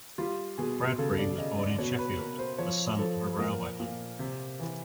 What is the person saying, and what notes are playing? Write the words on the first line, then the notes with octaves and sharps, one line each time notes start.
Bradbury was born in Sheffield, the son of a railwayman.
G3 F4
B2 G#4
C#3 A4
D5
C#3 D#5
D5
B2 C#5
B4
B2 A#4
C5
F3 C#5
F3 A4
A#2 A#4
A#2
C3
E3